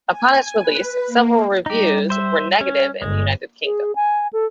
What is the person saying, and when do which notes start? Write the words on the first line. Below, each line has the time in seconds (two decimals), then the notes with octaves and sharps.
Upon its release, several reviews were negative in the United Kingdom.
0.10 G#5
0.62 B4
1.07 A#3
1.66 G3 D#4 G4
2.10 C5 E5
2.61 C#4
3.02 G1 G#3
3.64 G#4
3.96 G#5
4.33 A4